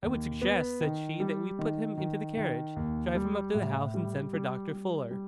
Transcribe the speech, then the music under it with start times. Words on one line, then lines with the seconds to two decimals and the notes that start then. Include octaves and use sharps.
"I would suggest," said she, "that we put him into the carriage, drive him up to the house, and send for Dr. Fuller."
0.03 D#2
0.42 B3
0.81 D#3
1.20 G3
1.59 D#3
1.97 D#3
2.37 D#3
2.76 D#2
3.15 G3
3.55 A2
3.94 G3
4.33 G3
4.72 G3
5.11 G3